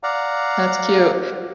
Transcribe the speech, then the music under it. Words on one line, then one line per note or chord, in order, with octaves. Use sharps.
That's cute.
D5 F5 F#5 A#5